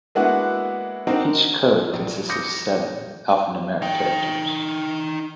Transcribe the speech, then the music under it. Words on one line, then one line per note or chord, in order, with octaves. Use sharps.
Each code consists of seven alphanumeric characters.
G#3 A#3 B3 D4 E4 F#4
C4 D4 D#4 F#4 A#4
A#4
A#1
D6 D#6 G6 A#6 C#7
D#4 G5